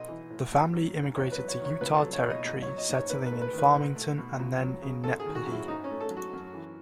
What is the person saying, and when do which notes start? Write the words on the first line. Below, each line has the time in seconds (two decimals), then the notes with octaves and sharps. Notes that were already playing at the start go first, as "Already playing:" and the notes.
The family immigrated to Utah Territory, settling in Farmington and then in Nephi.
Already playing: B1 D#5
0.09 E3
0.30 A2
0.51 G#1
0.74 F#3
0.94 G#2
1.16 E2 C#5
1.32 B4
1.38 F#3
1.48 C#5
1.59 D#3
1.65 C#5
1.81 C#2 B4
1.96 A4
2.03 F#3
2.13 C#5
2.24 B2
2.30 D#5
2.45 G#1 D#5
2.62 C#5
2.66 F#3
2.78 D#5
2.89 G#2
2.94 C#5
3.10 G#2 B4
3.26 B4
3.31 A3
3.42 B4
3.53 D#3
3.58 B4
3.74 B1
3.96 A3
4.18 B2
4.39 C#2
4.60 F#3
4.82 C#3
5.04 G#1 A4
5.20 G#4
5.25 D#3
5.35 F#4
5.46 F#2
5.51 E4
5.68 G#2 D#4
5.84 C#4
5.90 A3
6.01 A4
6.10 F#3
6.17 F#4
6.33 F#2
6.54 E3